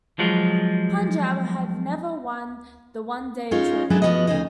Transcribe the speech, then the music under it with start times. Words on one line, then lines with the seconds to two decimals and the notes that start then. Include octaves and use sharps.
Punjab have never won the one-day trophy.
0.19 F3 F#3 G#3
3.51 G#3 C#4 D#4 F4 C#5
3.90 F#3 G#3 B3 C#4 D4 E4
4.02 F3 B3 D4 F#4 B4 D#5
4.27 D2 A#2 C#3 D#4 D#5